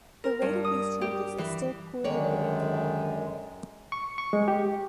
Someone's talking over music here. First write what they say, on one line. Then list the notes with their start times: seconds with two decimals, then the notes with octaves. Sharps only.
The rate of these changes is still poorly predictable.
0.24 A#4
0.42 G2
0.64 D#6
1.01 G4
1.38 E3
2.04 F#2 D3 D#3 G#3 C#5 D5
3.92 C#6
4.18 C#6
4.33 G#3
4.48 G4